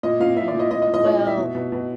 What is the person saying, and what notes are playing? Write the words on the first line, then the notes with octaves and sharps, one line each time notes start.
Hmm. Well,
A#2 D#5
A#2 F5
A#2 E5
D5
A#2
D#5
A#2 D#5
D#5
A#2
D#5
A#2 C#5
A#2
E5
B2
B2
B2